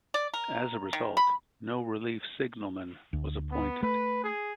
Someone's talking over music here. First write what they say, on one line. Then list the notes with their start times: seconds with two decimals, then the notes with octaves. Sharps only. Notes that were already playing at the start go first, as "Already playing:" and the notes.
As a result, no relief signalman was appointed.
0.14 D5
0.34 A#4
0.93 D#3
1.17 B5
3.13 D2
3.51 B3
3.83 A3 B4
4.24 G#4